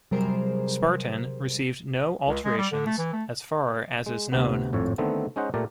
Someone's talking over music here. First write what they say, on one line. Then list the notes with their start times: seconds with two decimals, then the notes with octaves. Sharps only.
"Spartan" received no alterations as far as is known.
0.11 C3 F#3 G3 G#4 A#4 C5
2.28 C#2
2.44 G#3
2.58 G3
2.72 D3
2.86 A3
2.98 E3
3.13 A3
4.06 G#3
4.32 D2 C3 B3
4.73 G#1 F2 A2 C#5
4.98 D3 D#3 A3 B3 C4
5.36 G#3 C#4 D#4 C5 D#5 F#5
5.54 A#2 A3 G4 A#4 D5